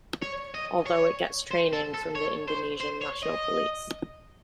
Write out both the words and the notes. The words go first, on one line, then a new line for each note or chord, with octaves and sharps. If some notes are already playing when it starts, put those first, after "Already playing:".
Although it gets training from the Indonesian National Police.
C#5
D#5
C#5
C5
A4
A4
C#5
C5
C5
C#5
D#5